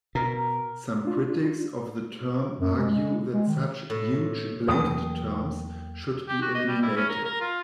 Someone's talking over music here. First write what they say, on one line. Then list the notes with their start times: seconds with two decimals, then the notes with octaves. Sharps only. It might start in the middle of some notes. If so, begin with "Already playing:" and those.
Some critics of the term argue that such "huge blanket terms" should be eliminated.
0.15 B2 A#4
1.05 D4 F4
2.60 F#2
2.78 G#3
2.90 G#3
3.34 G#3
3.47 D#3
3.90 A2
4.68 E2 E3 F#3 A3 A#3 G5 D#6
6.28 G4
6.42 F#4
6.55 D#5
6.68 G3
6.82 E4
6.97 C#4
7.09 A#4
7.25 A#4
7.41 F4